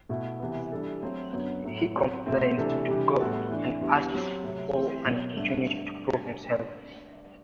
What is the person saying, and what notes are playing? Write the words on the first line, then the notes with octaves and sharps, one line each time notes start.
He complains to God and asks for an opportunity to prove himself.
B2 A3 E4
C3 E3 B3
E3 G3 D4 A4
F#3 A3 C4
F#2 D3 F#3 B3
A2 F#3 A3
F#3 C4 F#4
B2 A3 C4
C3 E3 A3 D4 A4
C3 E3 G3 D4 G4
A2 G3 B3 F#4 A4
E3 A3 D4
E2 D3 G3 B3 E4
F#3 C4 G4
C3 F#3 A3
E3 A3 C4 G4
B2 F#3 B3
G2 D3 A3